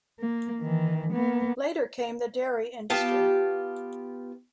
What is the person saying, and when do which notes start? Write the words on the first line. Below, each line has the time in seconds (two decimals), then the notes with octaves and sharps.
Later came the dairy industry.
0.19 A#3
0.62 D#3 E3
1.12 A#3 B3
2.90 B3 F4 G4 A5